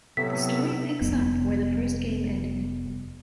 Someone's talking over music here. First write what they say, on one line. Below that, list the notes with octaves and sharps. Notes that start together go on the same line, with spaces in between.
The story picks up where the first game ended.
A2 C3 F#3 B3 A4 B6
F1 F2 G3 B3